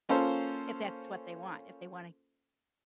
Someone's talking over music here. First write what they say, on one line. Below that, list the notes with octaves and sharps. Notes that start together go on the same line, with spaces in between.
if that's what they want. If they wanna
A#3 C#4 F4 A4 C5